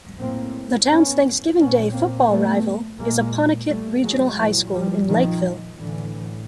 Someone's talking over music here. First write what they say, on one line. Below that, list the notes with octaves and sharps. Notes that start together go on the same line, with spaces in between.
The town's Thanksgiving Day football rival is Apponequet Regional High School, in Lakeville.
A2 A#3 C4
B3 C#4
A#2 B3 C#4
A#3 C4
A3 B3
A#2 G#3 A#3
G3 A3
F#3 G#3
A#2 E3 F#3
F3 G3
D#3 F3
A2 D3 E3